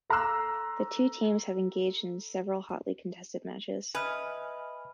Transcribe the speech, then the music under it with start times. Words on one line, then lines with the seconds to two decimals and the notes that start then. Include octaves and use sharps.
The two teams have engaged in several hotly contested matches.
0.10 A4 A#5 C6 D6 E6 F#6
3.95 B4 D#5 E5 G#5 D#6 F6